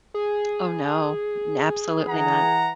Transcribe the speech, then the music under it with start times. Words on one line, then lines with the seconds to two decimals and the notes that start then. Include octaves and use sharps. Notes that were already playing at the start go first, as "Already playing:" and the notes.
Oh, no, n absolutely not.
0.14 G#4
2.06 E3 F#5 A#5